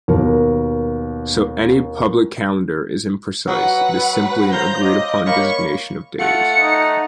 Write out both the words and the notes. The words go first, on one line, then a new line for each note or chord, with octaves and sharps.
So any public calendar is imprecise; it is simply an agreed-upon designation of days.
D#2 B2 A#4
F#3 B4 F#5
B5
C5 F5 A#5 C6 G6
D5 D#5
A#3 C#5 B5 C#6
A3 F4 F#5 C#7
D#4